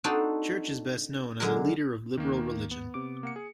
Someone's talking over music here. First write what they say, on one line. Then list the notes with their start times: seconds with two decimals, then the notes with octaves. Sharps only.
Church is best known as a leader of liberal religion.
0.04 C4 D4 D#4 F#4 A4 C5
1.40 F#2 D3 G#3 A#4
2.17 D#2 D#3 A#3
2.71 B3
2.94 C3 D6
3.23 A#3 F#5 C#7
3.36 G#4